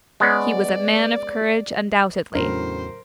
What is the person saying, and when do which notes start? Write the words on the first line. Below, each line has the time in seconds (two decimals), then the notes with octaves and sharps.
He was a man of courage undoubtedly.
0.20 G#3 B3 C#4 D5
2.35 E2 A2 C#3 F#3 D4 A#4 C5